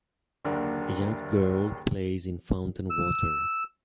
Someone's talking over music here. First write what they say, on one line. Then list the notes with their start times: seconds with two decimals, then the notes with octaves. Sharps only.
A young girl plays in fountain water.
0.45 F#1 D#2 D3 D4 A#4
2.90 E6